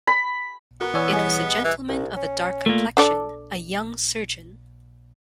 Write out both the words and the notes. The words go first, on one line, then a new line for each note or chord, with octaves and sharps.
It was a gentleman of a dark complexion — a young surgeon.
B5
B3 F#4 A#4
E3 C#5 D5 G#5 E6
G3 G#4 D#5
E3
C2
C#4
A#2 A3 A#3
D4 A4 D5